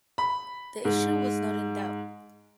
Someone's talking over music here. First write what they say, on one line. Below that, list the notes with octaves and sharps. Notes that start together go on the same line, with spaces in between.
The issue was not in doubt.
B5
G#2